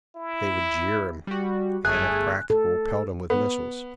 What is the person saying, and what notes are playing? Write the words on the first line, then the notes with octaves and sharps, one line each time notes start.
They would jeer him, and, if practicable, pelt him with missiles.
E4
G3 F#4
G1 A3 G#4 G#5 F#6
A4
B3